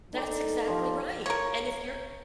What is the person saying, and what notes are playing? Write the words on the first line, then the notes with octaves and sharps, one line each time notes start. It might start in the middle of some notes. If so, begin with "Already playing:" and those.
That's exactly right. And if you're
D#4 A4 A#4 D5
F3 G4 A#4 D5
A#4 C#5